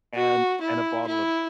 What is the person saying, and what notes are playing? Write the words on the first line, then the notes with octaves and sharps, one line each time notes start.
and and a bottle of b
F#4
E4
E4